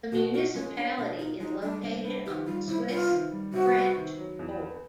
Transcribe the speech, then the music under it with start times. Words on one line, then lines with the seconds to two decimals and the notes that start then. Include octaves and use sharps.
The municipality is located on the Swiss-French border.
0.12 B2 F#4
0.34 F4 F#4
0.55 G#3 C#4
0.76 C#4 D4
0.98 B2 D4
1.19 D#4 F4
1.40 G#3 D#4
1.62 G3 D4
1.82 C3 D4
2.04 B3 D4
2.26 D#3 G4
2.46 G3 F4
2.68 C3 E4
2.89 B3 F4
3.11 D#3
3.32 G3
3.53 C3 F#4
3.75 B3
3.95 D#3
4.17 F#3
4.39 E2
4.60 B3